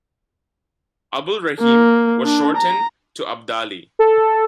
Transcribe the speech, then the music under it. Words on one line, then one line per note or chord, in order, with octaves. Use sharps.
Abulraheem was shorten to Abdali.
A#3
D4
A#5
A4